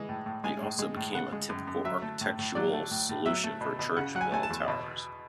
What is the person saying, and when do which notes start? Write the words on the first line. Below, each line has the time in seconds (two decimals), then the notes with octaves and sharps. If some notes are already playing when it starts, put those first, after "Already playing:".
They also became a typical architectural solution for church bell towers.
Already playing: E3 G#3
0.09 A2
0.26 A2
0.44 G#3 G#5
0.62 A2
0.79 G#3
0.97 A2
1.14 C#3 F#5
1.32 G#3
1.49 F#2
1.67 F#2
1.85 F#3 E5
2.02 A3
2.21 A2
2.39 A2
2.55 F#3 D5
2.73 A3
2.91 A2
3.09 A2
3.26 F#3 E5
3.44 A3
3.61 B2
3.79 B2
3.97 C#3 F#5
4.15 F#3 F#5
4.21 G#5
4.32 A3 G#5
4.43 A5
4.50 E2
4.68 B2